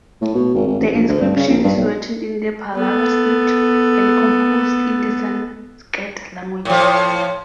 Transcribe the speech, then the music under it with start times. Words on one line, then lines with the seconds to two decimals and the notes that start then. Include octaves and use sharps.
The inscription is written in the Pallava script and composed in the Sanskrit language.
0.21 A2
0.35 B2
0.54 G#1
0.67 G#1
0.79 A1
0.94 A#1
1.09 D2
1.21 G2
1.36 C#3
1.49 A#1
1.64 G2
1.76 B1
2.75 B3 A4
6.65 A2 F3